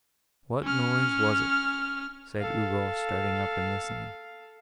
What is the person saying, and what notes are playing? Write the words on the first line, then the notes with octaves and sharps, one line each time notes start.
'What noise was it?' said Ugo, starting up and listening.
C#4 F6
A4 F5